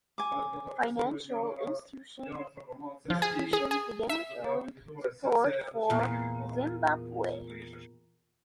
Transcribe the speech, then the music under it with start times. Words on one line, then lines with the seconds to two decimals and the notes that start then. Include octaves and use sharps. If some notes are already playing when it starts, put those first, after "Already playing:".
Financial institutions began withdrawing support for Zimbabwe.
0.18 G#5 D6
3.10 F3
3.22 G#4
3.53 G#4
3.71 G#4
4.09 E5
5.90 E2 A#2